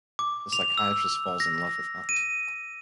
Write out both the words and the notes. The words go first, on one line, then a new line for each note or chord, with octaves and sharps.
The psychiatrist falls in love with her.
D6
F7
E6
A#6
D#7